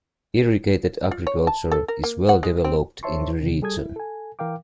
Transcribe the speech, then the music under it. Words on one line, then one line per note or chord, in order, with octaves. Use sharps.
Irrigated agriculture is well developed in the region.
F4
C#5
A5
A4
A#4
A#3
F#5
G#3
C4
C5 C#5 E5 A5 C6 C#6
D2 C3 D#3
G3 G#4 A4 D#6 G#6
E4
A4 G#5
E3 A#4 F5 G5 D6